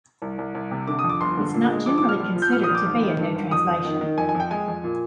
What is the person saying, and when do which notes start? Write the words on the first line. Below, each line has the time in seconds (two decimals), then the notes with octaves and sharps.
It is not generally considered to be a new translation.
0.22 C2
0.38 C2
0.55 C2
0.71 C3
0.88 D3 D6
0.99 D#6
1.04 F2
1.09 D6
1.21 G1 C6
1.37 D3
1.54 A#2
1.70 G#3
1.86 A#1 D6
1.98 D6
2.03 A#1
2.09 F6
2.20 A#1
2.36 F3
2.42 G6
2.53 A#2 F6
2.64 D#6
2.69 A#1
2.75 D6
2.85 G#1
3.02 D#3
3.19 G2
3.35 G#1
3.51 F2 D#6
3.68 F2
3.85 D#3
4.01 D#3
4.18 F2 G#5
4.29 G#5
4.34 F2
4.40 G5
4.51 G#3 G#5
4.68 F2
4.84 A#2